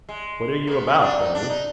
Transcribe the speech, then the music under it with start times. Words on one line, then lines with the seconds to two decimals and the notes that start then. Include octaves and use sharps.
"What are you about, Harry?"
0.09 G#3
0.67 A#3
0.71 B3
0.87 C#4
0.98 D#4
1.02 D4
1.18 D#4
1.35 D4
1.49 D#4